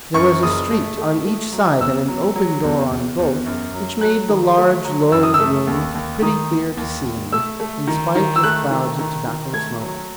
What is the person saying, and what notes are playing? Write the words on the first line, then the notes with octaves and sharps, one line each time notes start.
There was a street on each side and an open door on both, which made the large, low room pretty clear to see in, in spite of clouds of tobacco smoke.
F#2 C#6
F#1 D#6
A3
A3
A3
F#3
E2 E6
F#3
F#3
E2
E2
E2
F#2
F#3
F#3 F#6
D#3
A3
F#3
F#2 E6
D#6
E6
A3
D#2
D#2
D#3 D#6
D#2
D#2
D#2
A3 E6
A3
D#3
D#3
E6
A3 F#6
D#3
D#3
D#3
A3 G#6
F#3